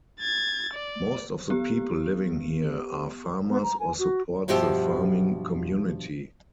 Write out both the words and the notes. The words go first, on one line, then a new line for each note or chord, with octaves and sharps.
Most of the people living here are farmers or support the farming community.
G#6 A6
D5
B3 G4
B3
A#5
G#5
F#4
G2 B2 F3 F#4 G4 E5